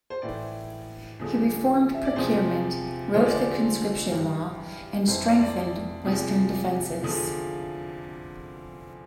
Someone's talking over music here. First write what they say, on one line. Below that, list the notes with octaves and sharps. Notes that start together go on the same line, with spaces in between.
He reformed procurement, wrote the conscription law, and strengthened western defenses.
C5
A2 E3 D5
E2 D3 F3
E5
D5
E2 C3 F3 C5
E2 D3 F3 C5
D5
C5
G2 E3
F2 E3 C5
D5
D5
D5
E2 C3 F3
E2 D3 F3